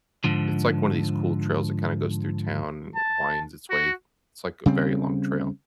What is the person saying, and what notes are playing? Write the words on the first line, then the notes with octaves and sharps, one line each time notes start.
it's, like, one of these cool trails that kinda goes through town and it winds its way it's, like, a very long trail,
G#2 D3 F3
A5
F#4
C#3 G3 C4